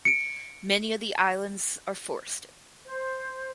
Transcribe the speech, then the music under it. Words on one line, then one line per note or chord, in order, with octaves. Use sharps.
Many of the islands are forested.
C#7 D7
C5